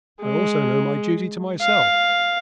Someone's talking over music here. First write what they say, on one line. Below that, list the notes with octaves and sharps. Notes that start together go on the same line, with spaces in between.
I also know my duty to myself.
G#3
F5